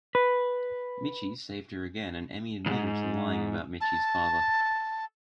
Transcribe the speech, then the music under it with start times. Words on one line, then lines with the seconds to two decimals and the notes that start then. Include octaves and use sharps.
Michi saved her again and Emmy admitted to lying about Michi's father.
0.15 B4
2.66 C#2 G#2
3.81 A5